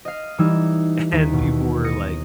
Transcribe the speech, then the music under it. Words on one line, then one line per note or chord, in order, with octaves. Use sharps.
and people were like
D#5 F5
E3 G3 D#4 E6 G#6
D#2 B6
B2
D#6 A#6 C#7